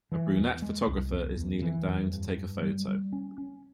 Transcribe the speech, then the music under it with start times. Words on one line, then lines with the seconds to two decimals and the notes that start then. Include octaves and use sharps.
A brunette photographer is kneeling down to take a photo.
0.12 E3
0.37 E2
0.62 G#3
0.87 C2
1.12 E2
1.37 E2
1.62 E3
1.87 F2
2.13 G2
2.37 G2
2.62 G3
2.88 G3
3.13 C#4
3.38 C#4